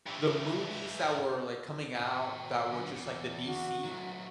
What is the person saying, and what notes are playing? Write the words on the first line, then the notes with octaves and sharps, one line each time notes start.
the movies that were, like, coming out that were just, like, the DC,
G2 E3
C4 F#4
D3 F#3
E2
F#4
F#3 A3